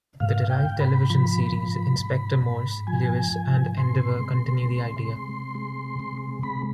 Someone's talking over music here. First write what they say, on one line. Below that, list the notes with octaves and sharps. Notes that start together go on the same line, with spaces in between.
The derived television series, "Inspector Morse", "Lewis" and "Endeavour", continue the idea.
G#2 F5
G5
G#2
B5
F3 B5
G#2
G#2
G#2
F3 G#5
G#2
C3 C6
G#3
C3
C3
G#3
C3
C3 B5